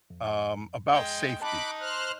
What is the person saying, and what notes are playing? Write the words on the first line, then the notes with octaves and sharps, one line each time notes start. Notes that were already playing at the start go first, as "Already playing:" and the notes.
um, about safety
F2
G#3 G5
D#4 A5 B5 D6 F#6
C5 F6 F#6